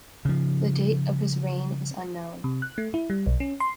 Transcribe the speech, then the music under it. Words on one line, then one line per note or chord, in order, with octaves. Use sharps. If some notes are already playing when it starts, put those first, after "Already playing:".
The date of his reign is unknown.
C#3 F3
C3
F#6
A3
E4
G3
B1
C#4
C6